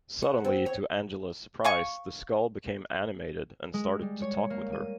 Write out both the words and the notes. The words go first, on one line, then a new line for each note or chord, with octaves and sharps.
Suddenly to Angela's surprise, the skull became animated and started to talk with her.
F#5
C4
C#5
F5 G#5 C#6
G#3
G3
C#5
A#3
D#7